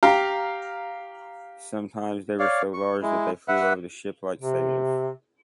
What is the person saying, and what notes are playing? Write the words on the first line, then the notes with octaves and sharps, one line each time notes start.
Sometimes they were so large that they flew over the ship like sails.
G4 F5 A#5
C#5 D5 F5
C#6
G#3 E4
B4 E5 F#5
C3